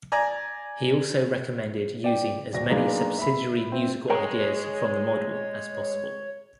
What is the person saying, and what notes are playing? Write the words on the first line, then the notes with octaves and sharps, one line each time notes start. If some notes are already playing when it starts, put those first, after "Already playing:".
He also recommended using as many subsidiary musical ideas from the model as possible.
D5 G#5 A#5
D5 G5
D1 F#4 D5 A#6
F#3 G#3 A#3 B3 D4 D#4
E5 B5
C4 E5
G#3 A#4 C#5 G5 A#5